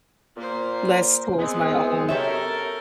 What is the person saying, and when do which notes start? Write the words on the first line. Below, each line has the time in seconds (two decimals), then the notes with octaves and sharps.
less towards my own
0.36 A#2 A#3 C5
1.38 G#3 B3 C4
2.08 F#2 G4 A4 A#4 C#5 E5